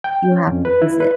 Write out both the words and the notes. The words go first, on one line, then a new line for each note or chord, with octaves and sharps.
you have to visit.
G5
C#4
F2
B4
E4
B4